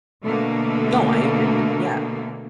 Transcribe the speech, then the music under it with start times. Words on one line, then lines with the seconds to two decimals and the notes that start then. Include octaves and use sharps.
No, I agree, yeah.
0.23 B2 D3 A3 A#3